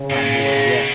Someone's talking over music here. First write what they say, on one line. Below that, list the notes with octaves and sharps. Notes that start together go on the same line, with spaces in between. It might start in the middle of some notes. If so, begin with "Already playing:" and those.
I'm aware, yeah.
Already playing: C#3
G#2
B2
A2
B2